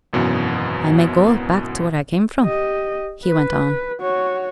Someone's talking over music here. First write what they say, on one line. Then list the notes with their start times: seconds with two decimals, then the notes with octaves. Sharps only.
'I may go back to where I came from,' he went on.
0.13 G#1 F#2 B2 E3
2.44 G4 D#5
3.25 B4
4.01 F#4 C#5